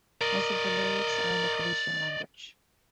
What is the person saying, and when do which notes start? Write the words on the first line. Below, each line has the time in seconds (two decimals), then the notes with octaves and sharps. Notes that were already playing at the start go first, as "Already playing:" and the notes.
Most of their lyrics are in the Galician language.
0.21 A#4 D5 D#5